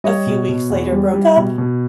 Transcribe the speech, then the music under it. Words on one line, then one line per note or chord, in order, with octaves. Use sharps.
a few weeks later broke up.
G3 C#5 D#5
B2
B2
E2
G3
G3
B2
B2